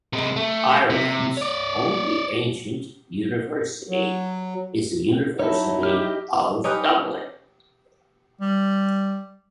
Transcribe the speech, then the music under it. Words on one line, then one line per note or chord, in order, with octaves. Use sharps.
Ireland's only ancient university is the University of Dublin.
C3 G#3
A3
C3
C#5 D5
F#3
F#3 D#4 E4 C#5 A5
G4 D#5 F6
C#4 D#4 G4 B4
G3